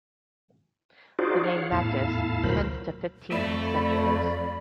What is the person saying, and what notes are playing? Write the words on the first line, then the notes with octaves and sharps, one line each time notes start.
The name "Maccus", tenth to fifteenth centuries.
D#4 F4 F#4 G#4 C5 D5
C#5 F5 F#5
E2 A2 E4 F5 A5
D2 A#2 F#3 A#4 C5 B5
F2 A3 D5 E5 B5